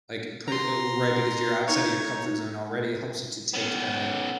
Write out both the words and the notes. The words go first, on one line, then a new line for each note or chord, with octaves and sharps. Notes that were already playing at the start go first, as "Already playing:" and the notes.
Like, put it oh u right, because you're outside of your comfort zone already. It helps you to take a
A#5 C6
D#4 C#5
B3 C#4